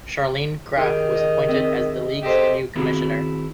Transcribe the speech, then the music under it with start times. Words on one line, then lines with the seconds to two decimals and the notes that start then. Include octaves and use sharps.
Sharleen Graf was appointed as the league's new commissioner.
0.77 D#3 G4 G#4
1.15 D#5
1.48 C4 D#5 E5
2.23 G4 A4 C5 D#5 E5
2.75 D#3 B3 C4 E4 F#4 G#4